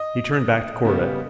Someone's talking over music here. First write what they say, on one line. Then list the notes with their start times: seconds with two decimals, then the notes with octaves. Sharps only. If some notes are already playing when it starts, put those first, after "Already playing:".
He turned back to Corbett.
Already playing: D#5
0.85 C#3 G3 B3